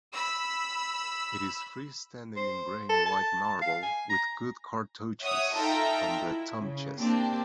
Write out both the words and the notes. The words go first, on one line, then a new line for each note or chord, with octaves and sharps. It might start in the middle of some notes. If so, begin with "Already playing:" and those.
It is free-standing in grey and white marble with good cartouches on the tomb-chest.
B5 E6
C5
A4
A5
F5
G#5
A#5
C#5 E5 F#5 D#6
D#4 F4 A4 E5 G5 A#5
E4
C#3
A#3 C4 D4 G4